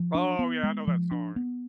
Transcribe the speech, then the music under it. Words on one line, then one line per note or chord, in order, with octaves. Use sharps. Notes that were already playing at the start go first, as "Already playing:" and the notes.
Oh yeah, I know that song,
Already playing: F3
D4
B3
G#3
F3
D4
B3